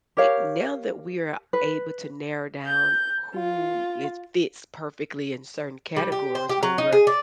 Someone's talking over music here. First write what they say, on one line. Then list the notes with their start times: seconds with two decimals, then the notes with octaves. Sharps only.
I now that we are able to narrow down who it fits perfectly in certain categories when we're,
0.17 G4 A#4 C#5 F5
1.53 B4
2.67 G6
3.34 F4
5.96 G3
6.12 G4
6.35 C5
6.49 G4
6.63 F#3
6.78 D#4
6.92 G#4
7.07 D5